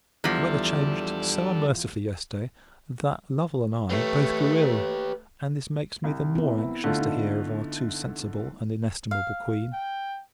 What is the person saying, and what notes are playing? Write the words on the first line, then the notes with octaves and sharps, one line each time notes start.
The weather changed so unmercifully, yesterday, that Lovel and I both grew ill; and this makes me the more anxious to hear of our too sensible and inestimable Queen.
E2 F3 G3 D4 A4
A3 G4 B4 C#5
C2
B3 C4 E4
D3 A3 F4
D#4
F5
G5